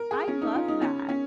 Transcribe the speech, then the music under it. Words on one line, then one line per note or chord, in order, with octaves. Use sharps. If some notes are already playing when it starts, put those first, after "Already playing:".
I love that,
Already playing: A#4
G#4
C#4
D#4
F4
D#4
C#4
C#4